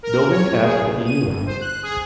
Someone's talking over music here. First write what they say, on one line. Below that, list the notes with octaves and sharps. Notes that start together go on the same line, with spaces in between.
Building at Picayune.
A#4
C#5
G#4
A2
D#7
G1
C5
F#6
G#4